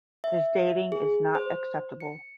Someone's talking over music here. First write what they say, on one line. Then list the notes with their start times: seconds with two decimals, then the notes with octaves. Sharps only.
His dating is not acceptable.
0.24 E5
0.92 G#4
1.35 C5
2.00 C#7